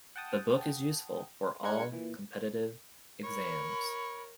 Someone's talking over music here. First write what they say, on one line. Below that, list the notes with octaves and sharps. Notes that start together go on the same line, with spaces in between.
The book is useful for all competitive exams.
F#5 G5 A5 D#6
G#3 D4 A#4 F#5 G#6 C#7
A#2 E3
A#4 C#5 B5